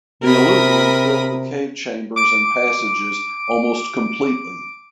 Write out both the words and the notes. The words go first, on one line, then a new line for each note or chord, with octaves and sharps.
The alluvium filled the cave chambers and passages almost completely.
C3 A#4 B5 D#6
D6 D7